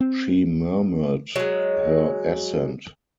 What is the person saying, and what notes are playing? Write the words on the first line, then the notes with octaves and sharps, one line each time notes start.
She murmured her assent.
C4
F#3 G#3